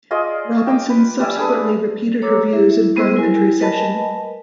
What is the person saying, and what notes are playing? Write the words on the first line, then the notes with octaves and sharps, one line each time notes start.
Robinson subsequently repeated her views in parliamentary session.
F4 G#4 D5 D#5
G5 D6 D#6
B4
G3 D5 E5 G#5
D4 G#4 A4 B4
A4 C#5 A#5 D6 E6
E4 G#4 E5
G3 B3 G#4 B4 C5 E6
G3 E4 A#4 G#5
A#4 B4 D#5 G#5 A5 B5